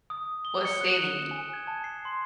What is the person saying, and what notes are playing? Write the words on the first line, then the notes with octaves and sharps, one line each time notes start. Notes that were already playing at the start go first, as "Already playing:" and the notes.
What city?
D#6
G7
C#7
F#6
E7
G#5
G#6
A5
C7
C6